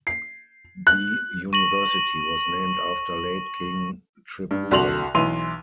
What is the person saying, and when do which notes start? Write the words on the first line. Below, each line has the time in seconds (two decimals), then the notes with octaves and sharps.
The university was named after late King Tribhuvan.
0.07 C7
0.87 F#6
1.53 C#6 A#6 F#7
4.51 G2
4.71 C2 D3 F#4 C6 F7 F#7
5.15 B1 E3 C6 D#7 F7